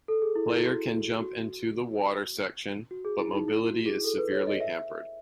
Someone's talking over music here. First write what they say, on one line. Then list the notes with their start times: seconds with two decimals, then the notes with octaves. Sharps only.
Player can jump into the water section, but mobility is severely hampered.
0.08 A4
0.22 G#4
0.35 E4
0.50 E4
0.65 F#4
1.21 F#4
2.91 F#4
3.05 G#4
3.19 E4
3.33 D#4
3.48 E4
3.66 F#4
3.86 G#4
4.04 A4
4.18 B4
4.32 C#5
4.47 D#5
4.61 E5